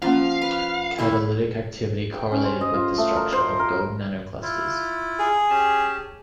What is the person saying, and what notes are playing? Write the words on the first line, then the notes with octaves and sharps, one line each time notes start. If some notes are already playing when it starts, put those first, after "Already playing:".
Catalytic activity correlated with the structure of gold nanoclusters.
F3 A#3 C#4 C5 F5
B4
D3 A3 E4 F5
G5
C#4
C5
D#5
F4
A3
A#4
C5
A#4
E4 F4
G#4
C#4 G4 A5